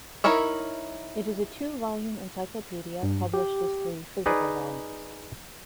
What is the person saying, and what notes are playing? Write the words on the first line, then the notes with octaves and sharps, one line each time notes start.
It is a "two-volume" encyclopedia published as three "physical" volumes.
D#4 E4 A#4 C#5 E5
G2
G4
D#4 G#4 B4 D5